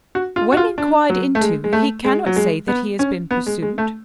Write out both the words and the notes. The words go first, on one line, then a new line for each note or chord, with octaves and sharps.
When inquired into, he cannot say that he has been pursued.
F#4
F4
F#4
F4
D4
F#3
A3
G#3
G#3
A3
G#3
F#3
G#3
B3
C#4
B3
G#3
G#3
A3